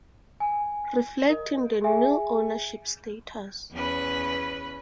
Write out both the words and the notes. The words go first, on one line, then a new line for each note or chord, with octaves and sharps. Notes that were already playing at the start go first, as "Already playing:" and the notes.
Reflecting the new ownership status.
G#5
A#4 D#5
G#4 E5 G#5
E2 C#4 B4